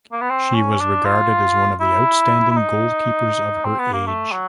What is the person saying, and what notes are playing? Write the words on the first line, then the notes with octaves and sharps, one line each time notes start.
She was regarded as one of the outstanding goalkeepers of her age.
A#3
B3
C4
C#4
D4
F4
E4
E4
D#4
C4
B3
A#3
A3
F#3